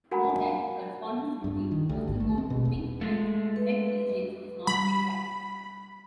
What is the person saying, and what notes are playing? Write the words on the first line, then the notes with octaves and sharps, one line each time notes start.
Note that the correspondence between postal code groupings and Czech Regions is not exact.
F#4 A#4 F#5 G#5 A#5 B5
G2
D#3
D2
G#1
A3
C4
B2
D#1
G#3 A3
B4
G3 B5